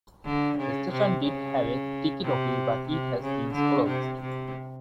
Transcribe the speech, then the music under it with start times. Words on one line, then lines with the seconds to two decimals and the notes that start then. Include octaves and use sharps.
The station did have a ticket office but it has since closed.
0.25 D3
0.57 C#3
0.92 C3
1.23 C#3
2.23 C3
2.88 C3
3.22 C#3
3.54 D3
3.87 C3
4.20 C3